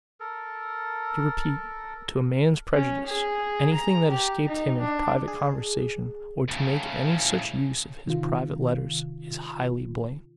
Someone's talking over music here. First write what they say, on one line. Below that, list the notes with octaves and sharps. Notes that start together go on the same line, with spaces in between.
To repeat, to a man's prejudice, anything that escaped him in private conversation, or to make any such use of his private letters, is highly blamed.
A4 A#4
C#4
G#4
A#5
G4
D#4
D4
G#4
A2 C#3
C3 D#3 F4